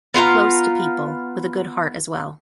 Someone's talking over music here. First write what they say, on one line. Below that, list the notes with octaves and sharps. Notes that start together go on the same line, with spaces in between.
Close to people, with a good heart as well.
B3 F4 G5 A#5